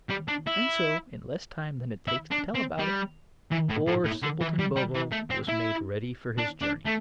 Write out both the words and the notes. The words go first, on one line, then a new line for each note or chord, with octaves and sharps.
And so, in less time than it takes to tell about it, poor simpleton Bobo was made ready for his journey.
G3
D4
E4
E4
D4
C4
G3
E3
A2
A2
A2
D3
E3
G3
G3
E3
A3
C4
E4
D4
D4
A3